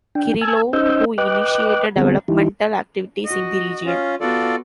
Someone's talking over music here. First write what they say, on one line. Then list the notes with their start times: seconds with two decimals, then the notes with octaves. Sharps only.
Kirilov, who initiated developmental activities in the region.
0.15 D4 G5
0.41 G#5 A5 E6 G#6
0.73 C#4 D#4 C5 D#5 E6 G6
1.18 B4 D#5 G5 D6 F#6
1.96 D3 G3 B3 C4 G#4
2.28 E3 D#4 E4 G4
3.26 F#4 D#5
3.85 C#4 F4
4.21 B3 F4 F#4 A4 D5